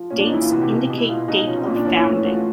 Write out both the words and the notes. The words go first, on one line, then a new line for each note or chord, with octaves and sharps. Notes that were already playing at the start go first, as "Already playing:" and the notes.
Dates indicate date of founding.
Already playing: F3
A#2 C#4
D4
D#4
E3 E4
F4
C3 F#4
G4
B2
B2
E4
B2 F4
B2 D#4
F3 C#4
C4
A#2 C#4
D4
E3 C#4
A2
F3 F#4
F4